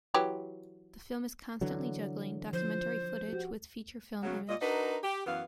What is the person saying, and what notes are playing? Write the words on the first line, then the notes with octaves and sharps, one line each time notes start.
The film is constantly juggling documentary footage with feature film image.
E3 F#3 G4
D3 E3 F#3
F3 C5
F#4 G4
C#3 F#3
A#2 D#5
D4 D#4 F#4 A#4 B4
G4
F#2 E3 B3 F5